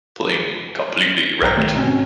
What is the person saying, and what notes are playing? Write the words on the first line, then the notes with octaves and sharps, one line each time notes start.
Plane completely wrecked.
B1 G#2 G5 A#5 A#6
D#3 G3 A3
G#2 B2 C4 C#4